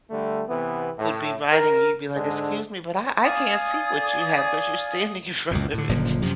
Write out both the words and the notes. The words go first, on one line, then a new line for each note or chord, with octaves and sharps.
would be writing and you'd be like, "Excuse me, but I I can't see what you have, 'cause you're standing in front of it."
D3 G3 A3
C3 E3 B3
A2
A#4
G#2 D3 G#3 D4
D5 F5 G#5 D#6
C#2 F#2 A#2
A2 D3
F#1 A#2 D3 F3
F#2 C3 F3